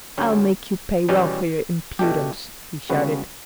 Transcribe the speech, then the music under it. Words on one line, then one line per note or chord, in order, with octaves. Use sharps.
"I'll make you pay well for your impudence!" he shouted.
D2 D3 G3 C#4
E2 B2 G3 C#4 G4
B2 A3 D4 G4
C#2 C#3 G3 B3 F#4